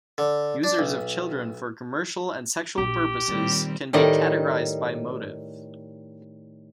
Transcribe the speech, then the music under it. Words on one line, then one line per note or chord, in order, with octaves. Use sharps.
Users of children for commercial and sexual purposes can be categorized by motive.
D3
D4
B1
A#1 G4
A#2 D#3 G3 C4
A2 D#3 G3 D#5